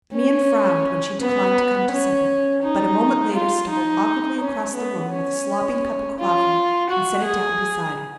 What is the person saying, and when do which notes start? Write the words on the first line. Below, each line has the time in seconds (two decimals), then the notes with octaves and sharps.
The man frowned when she declined to come to supper, but a moment later stumbled awkwardly across the room with a slopping cup of coffee and set it down beside her.
0.13 C#4
1.21 B3
1.91 C#4
2.63 D#4
3.34 F4
3.70 D#4
4.40 C#4
4.75 B3
5.12 C#4
6.19 F4
6.89 F#4
7.24 G#4